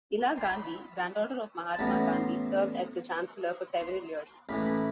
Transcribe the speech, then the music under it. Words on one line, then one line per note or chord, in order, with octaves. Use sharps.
Ela Gandhi, granddaughter of Mahatma Gandhi served as the Chancellor for several years.
C6
B5
A5
A1 A2 F#3 B3 B5
C6
C6
A1 A2 E3 B5
B5